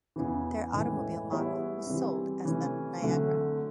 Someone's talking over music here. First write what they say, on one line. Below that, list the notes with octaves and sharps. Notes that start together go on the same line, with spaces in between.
Their automobile model was sold as the Niagara.
E2 C#3 E3
A2 E3 G#3
G3 B3 E4 G#4 C#5
E3 G3 C4
C3 E3 A3 C#4
D3 F#3 A3 C4